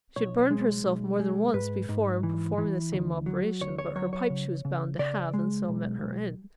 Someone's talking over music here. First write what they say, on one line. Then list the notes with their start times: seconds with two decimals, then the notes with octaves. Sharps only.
She had burned herself more than once before in performing the same operation; but her pipe she was bound to have, and so met her end.
0.16 B1 C#5
0.51 G#3
0.85 B1
1.19 G#3
1.54 G#2 B4
1.89 G#2
2.23 E3
2.58 E3
2.92 D2
3.26 F#3
3.61 D2 C#5
3.79 C#5
3.96 F#3 C#5
4.13 C#5
4.30 C#3
4.65 C#3
4.99 C#3 D5
5.34 G#3
5.68 B1
6.02 B1